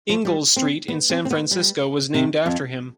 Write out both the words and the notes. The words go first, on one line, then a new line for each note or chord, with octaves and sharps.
Ingalls Street in San Francisco was named after him.
F3
G3
C4
B3
C4
C4
B3
G3
C3
F2